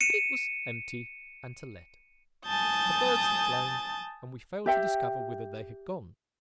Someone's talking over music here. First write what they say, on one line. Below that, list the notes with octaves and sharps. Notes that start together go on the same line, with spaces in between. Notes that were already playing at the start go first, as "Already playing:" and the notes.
But it was empty and to let. The birds had flown, and we failed to discover whither they had gone.
C#7 D#7 E7
G#5 A5 D#6 G6 A6
G4 E5 G5